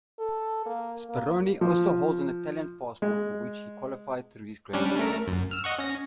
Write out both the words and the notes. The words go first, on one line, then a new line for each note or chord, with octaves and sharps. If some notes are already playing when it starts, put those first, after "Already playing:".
Speroni also holds an Italian passport, for which he qualified through his grandfather.
A4
A#3
A#3
F3
G#3
G3 C#4 D4
A3 A#4
F#2
E6 F6
D#5 F#5 C#6
C#4 A#6